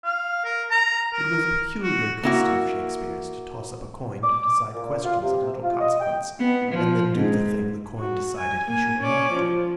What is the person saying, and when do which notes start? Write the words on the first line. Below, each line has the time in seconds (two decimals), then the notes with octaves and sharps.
It was a peculiar custom of Shakespeare's to toss up a coin to decide questions of little consequence, and then do the thing the coin decided he should not do.
0.04 F5
0.45 A#4
0.71 A#5
1.14 A#4
1.83 F#4
2.23 A#3 E4 F#4
4.23 D6
4.75 A#2
5.04 F4
5.22 C3
5.64 F4
5.80 D#5
6.00 G5
6.39 B3
6.71 F3
7.16 G#2
7.98 F#4
8.38 G#5
8.67 A#3 G#5
8.98 C#4 D5
9.32 F3